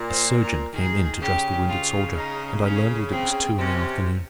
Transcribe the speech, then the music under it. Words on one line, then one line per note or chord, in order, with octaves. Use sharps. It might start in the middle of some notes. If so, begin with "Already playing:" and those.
A surgeon came in to dress the wounded soldier, and I learned that it was two in the afternoon.
Already playing: A#2
C5
A#4
D#3 G#4
C#3 G4
F4
D#4
C#4
C4
C3 C#4